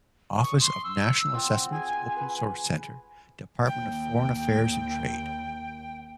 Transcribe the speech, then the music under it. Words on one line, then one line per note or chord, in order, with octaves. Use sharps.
Office of National Assessments Open Source Centre, Department of Foreign Affairs and Trade.
C#6 D#6
C6
E6
C4 F4 F#5
G#4 G#5
B4
D#2 G5